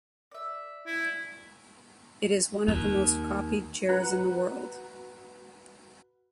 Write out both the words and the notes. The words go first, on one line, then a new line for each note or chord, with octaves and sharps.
It is one of the most copied chairs in the world.
D5 E5
E4
D#2
F#4 B4 A#5 F#6 C#7